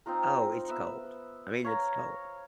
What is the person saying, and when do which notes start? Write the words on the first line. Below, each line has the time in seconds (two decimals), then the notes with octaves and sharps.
Oh, it's cold. I mean, it's cold.
0.06 C4 D#4 F4 A#4
0.69 B3 E5
1.65 C#5 F5 A#5